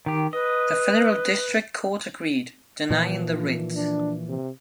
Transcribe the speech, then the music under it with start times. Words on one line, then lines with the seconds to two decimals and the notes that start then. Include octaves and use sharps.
The federal district court agreed, denying the writ.
0.06 D#3 G4
0.33 B4 D#5
2.90 A#2 E3 F3
3.45 D#3
3.74 D4
4.29 C3